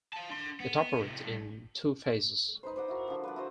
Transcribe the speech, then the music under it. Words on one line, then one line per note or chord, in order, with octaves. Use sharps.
It operates in two phases.
F5 A5
D4 C6
B3
A2 C3
G2
D#4 B4 C5
C5 D5 F#5
E4 F#4 A#4
D3 F3
B4 D5 F#5
E4 F#4 C5